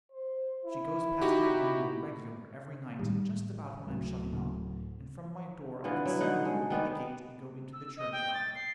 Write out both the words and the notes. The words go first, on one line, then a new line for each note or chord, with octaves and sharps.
She goes past my window regular every night, just about when I'm shutting up, and from my door I can see her open the gate and go into the churchyard.
C5
E4
D#4 F#4 G4
A2 D#3 G3
D1
C#3
D3 E3 B3 F4
F#3 E4
D3 D#4 F#5
G#3
D#3 B3 D4 D#4
E6
D#5
G5
A6
C7